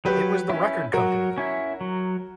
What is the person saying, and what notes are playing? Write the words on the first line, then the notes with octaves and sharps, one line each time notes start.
It was the record company!
F#3 G4 B4
C#4 E4
F#3 F#4 A#4
C#4 E4
F#3